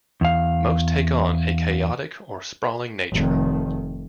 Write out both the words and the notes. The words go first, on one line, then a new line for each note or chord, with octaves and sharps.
Most take on a chaotic or sprawling nature.
E2 F5
F1 D#3